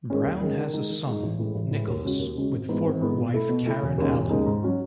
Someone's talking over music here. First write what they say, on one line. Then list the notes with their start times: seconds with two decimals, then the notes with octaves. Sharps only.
Browne has a son, Nicholas, with former wife Karen Allen.
0.10 D#3 G#3 C#4
0.25 D#2
0.41 D#3 G#3 C#4
0.58 D#3
0.74 G#3 D#4
0.90 D#3
1.06 G#3
1.11 D#4
1.23 A1
1.39 A2 E3 G#3
1.55 A1
1.71 A2 E3 G#3
1.87 D#2
2.03 C#3 G#3 C#4 F#4
2.19 D#2
2.36 C#3 G#3 C#4 F#4
2.52 G#1
2.69 G#2 E3 G#3 B3
2.84 G#1
3.01 G#2 E3 G#3 B3
3.16 B2
3.33 A3 E4 A4
3.49 B2
3.66 A3 E4 A4
3.82 E1
3.98 D#2 C#3 G#3 D#4
4.15 E1
4.30 D#2 C#3 G#3 D#4
4.46 G#2
4.63 F#3 C#4 F#4